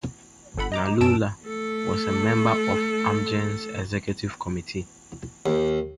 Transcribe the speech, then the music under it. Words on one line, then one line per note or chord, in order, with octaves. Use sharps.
Nanula was a member of Amgen's executive committee.
G1 A4 F#5 B5
D#5 A#5 D6
F#2 C#4 A5 E6 D7 E7
A3 A4
D#2